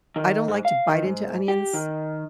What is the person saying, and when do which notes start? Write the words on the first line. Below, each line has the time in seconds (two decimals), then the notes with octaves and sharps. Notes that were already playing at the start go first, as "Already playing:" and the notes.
I don't like to bite into onions.
0.16 D#3
0.48 G#2
0.65 F5
0.88 D#3
1.03 G#2
1.48 G4
1.74 D#3